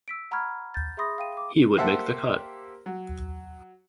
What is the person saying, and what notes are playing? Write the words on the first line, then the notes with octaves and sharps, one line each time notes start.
He would make the cut.
E6 B6 D7
F#5 A#5 B5 C#6 F6 G#6
G6 A6
G#4 E5 B5 C6 D#6 A#6
F5 G5 D#7
D6
A#3 G4 C5 E5 F#5 A5
F#3